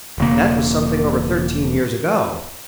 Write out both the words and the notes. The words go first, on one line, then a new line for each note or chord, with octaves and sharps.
That was something over thirteen years ago.
E1 C#3 A#3